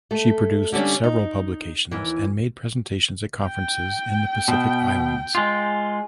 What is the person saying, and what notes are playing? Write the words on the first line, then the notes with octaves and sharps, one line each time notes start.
She produced several publications and made presentations at conferences in the Pacific Islands.
A3
D3 G3 C#4 D4
D#4
D#2 E3
G5
B2
G#3 F4